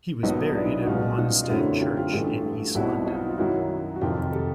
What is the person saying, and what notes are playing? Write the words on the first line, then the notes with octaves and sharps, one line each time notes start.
He was buried at Wanstead Church in east London.
B1 A#2 F#3 B3 D#4
D4 E4
F#4
C#2 B2 G3 D#4 F4
D#4 F4
F4
F#2 D3 F#3 A3 C4 E4 F#4
F4 G4
F4 G4
A1 G2 E3 A3 F4 G4
B1 B2 G3 C4 E4 F#4
D#4 F4
F4
F#2 D#3 F#3 E4 F#4
F#4
F2 C3 D#3 F4 G4
G4 A4